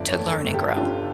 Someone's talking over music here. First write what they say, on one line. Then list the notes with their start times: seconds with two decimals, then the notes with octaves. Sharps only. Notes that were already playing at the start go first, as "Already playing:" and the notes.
to learn and grow.
Already playing: G1 F2 D3 D5 E5
0.09 C#5
0.17 A3
0.32 A4
0.47 G1
0.54 G4
0.76 D3 F4